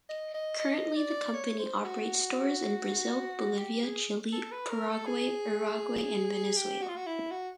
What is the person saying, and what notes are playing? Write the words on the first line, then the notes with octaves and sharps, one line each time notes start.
Currently the company operates stores in Brazil, Bolivia, Chile, Paraguay, Uruguay and Venezuela.
D#5
D#5
D#5
D5
C#5
C5
F#4
G4
G#4
A4
B4
A#4
A4
G#4
G4
F#4
F4
F#4
E4
F#4